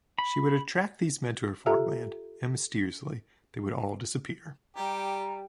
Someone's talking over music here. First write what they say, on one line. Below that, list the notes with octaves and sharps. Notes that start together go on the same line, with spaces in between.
She would attract these men to her farmland, and mysteriously they would all disappear.
B5
F4 G4 A4 E5 A#5
G3 G4 A#5